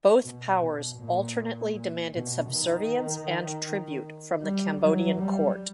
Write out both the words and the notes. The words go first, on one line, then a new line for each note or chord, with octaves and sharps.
Both powers alternately demanded subservience and tribute from the Cambodian court.
B2
B2
A#2
B2
D#3
G3
F#3
G3